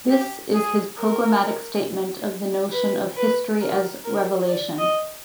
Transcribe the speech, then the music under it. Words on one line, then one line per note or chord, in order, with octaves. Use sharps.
This is his programmatic statement of the notion of "History as Revelation".
G4
G#4
A#4
B4
B4
A#4
A#4
D5
D#5